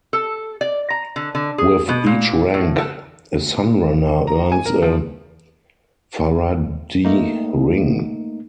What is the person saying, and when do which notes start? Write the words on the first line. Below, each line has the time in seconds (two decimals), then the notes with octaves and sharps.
With each rank a Sunrunner earns a "faradhi" ring.
0.13 A4
0.61 D5
0.90 A#5
1.16 D3
1.35 D3
1.58 G#4
1.89 B2
2.06 A#2
2.54 A2
2.78 A4
4.27 A#5
4.52 G#5
4.66 A#4
4.83 F3
7.05 A3 A#3 D#4